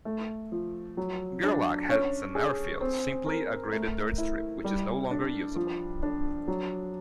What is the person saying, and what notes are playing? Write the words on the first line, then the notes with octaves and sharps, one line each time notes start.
Gerlach has an airfield, simply a graded dirt strip, which is no longer usable.
A3
F3
F#3
D4
C#4
G#4
C4
A#4
A3
E4
G3
D4
F3
D4
F#3